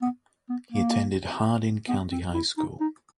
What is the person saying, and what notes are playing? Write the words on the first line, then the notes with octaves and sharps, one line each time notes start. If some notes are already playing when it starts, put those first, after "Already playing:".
He attended Hardin County High School.
B3
B3
A#3
B3
C4
E4
D#4
D#4